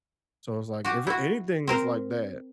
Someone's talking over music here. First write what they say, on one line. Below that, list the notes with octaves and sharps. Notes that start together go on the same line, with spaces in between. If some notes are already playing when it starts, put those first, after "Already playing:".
so, it's, like, if anything that's like that,
F#4 G4
E4 F#4
C4 A#4 C5